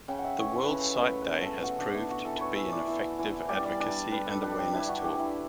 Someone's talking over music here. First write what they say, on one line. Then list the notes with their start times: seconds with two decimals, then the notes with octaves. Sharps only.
The World Sight Day has proved to be an effective advocacy and awareness tool.
0.08 C#3 G5
0.19 F#5
0.24 E5
0.39 E3 C#5
0.64 B4
0.70 C#3 A4
1.01 A3 B4
1.22 B4
1.32 B2
1.43 A4
1.63 B2 F#4
1.79 D4
1.94 B2 E4
2.10 F#4
2.25 E3 A4
2.36 B4
2.41 C#5
2.56 E3 E5
2.72 D5
2.87 E3
3.19 E3
3.49 G3 D5
3.65 D5
3.80 D4 D5
4.12 G3 B4
4.26 A4
4.42 D4 G4
4.59 G4
4.73 D4 E4
4.88 F#4
5.04 E3 G4
5.19 E4